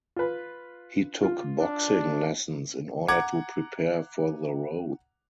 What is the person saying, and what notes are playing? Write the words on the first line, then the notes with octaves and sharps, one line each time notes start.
He took boxing lessons in order to prepare for the role.
F4 B4
F4
D4
F#5 A#5 D6 G#6